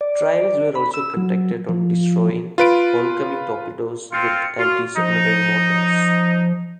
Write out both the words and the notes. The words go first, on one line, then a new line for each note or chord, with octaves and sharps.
Trials were also conducted on destroying oncoming torpedoes with anti-submarine mortars.
D5
B5
E6
F#3
F3
F4 B4 D7
C4 F4 C#7
F4 F#4
F3 D#4